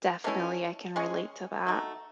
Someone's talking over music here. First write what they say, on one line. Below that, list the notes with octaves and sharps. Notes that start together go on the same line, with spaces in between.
Definitely I can relate to that.
B2 A3 C#4 E4
G#3 C#4 G#4
A3 D#4 F#4